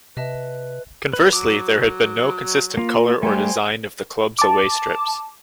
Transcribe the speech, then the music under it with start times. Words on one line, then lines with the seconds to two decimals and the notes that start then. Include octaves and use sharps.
Conversely, there has been no consistent colour or design of the club's away strips.
0.17 C3 B4 D#5 E5 A5
1.13 B4
1.33 F#3 D6
2.77 A#3 F4
3.23 G3 A3 C5 G5 G#5
4.39 A5 D6